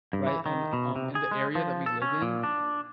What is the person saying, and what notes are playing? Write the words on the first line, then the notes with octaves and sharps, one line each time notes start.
right, and, um, in the area that we live in,
G2
E3
D#3
B2
C3
G#4
G#3
F3
A4
C#4
A#2
D4